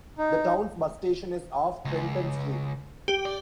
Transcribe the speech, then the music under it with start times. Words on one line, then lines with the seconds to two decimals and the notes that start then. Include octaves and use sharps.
The town's bus station is off Fenton Street.
0.18 D#4
1.85 C#2
3.08 G4
3.25 D5